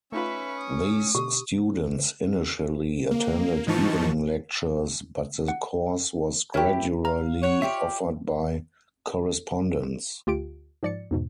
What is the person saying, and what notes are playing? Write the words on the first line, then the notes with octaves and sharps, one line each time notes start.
These students initially attended evening lectures but the course was gradually offered by correspondence.
A3 C#4 D#4 F4 B4 E5 C#6
D#6
B2 D3 G4
A#3
G#2 E3 F3 D#4 A5 C#6
F#5
E4 F#4 G4 A#4 C#5
F5 A#5
C#5 F#5
F4 G4 D5 E5
D2 F4 G4 D7
G#2 F3 D5 A6 C#7
E2 G#2 B2